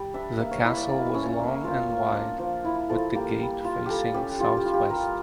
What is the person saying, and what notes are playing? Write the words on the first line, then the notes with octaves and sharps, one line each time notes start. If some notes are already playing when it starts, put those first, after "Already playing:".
The castle was long and wide with the gate facing southwest.
Already playing: G3
D4 E5
A#3 E5
C#5
E4 E5
D5
A#3 D5
E5
C#4
C#5
A#3
F4 A#4
A#3
D4
F3
E4
F3 A4
A#3 G4
G3
F4
G3 G4 A4
C#4 G4
G3 F4
G4
F4
G4
G3 A#4